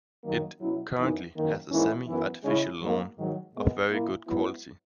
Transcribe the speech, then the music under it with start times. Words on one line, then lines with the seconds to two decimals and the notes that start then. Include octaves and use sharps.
It currently has a semi-artificial lawn of very good quality.
0.24 F#2 D#3 F#3 A#3
0.60 B2 F#3 C#4 E4
0.97 F#2 E3 B3 D#4
1.34 F#2 D#3 A#3
1.70 G#2 E3 A#3 C#4 E4
2.07 F#2 E3 B3 E4
2.44 C#3 G#3 C#4 E4
2.81 G#2 F#3 A#3
3.17 G#2 D#3 F#3
3.54 A#2 G#3 B3
3.90 A#2 A#3 E4
4.27 G#2 F#3 B3 E4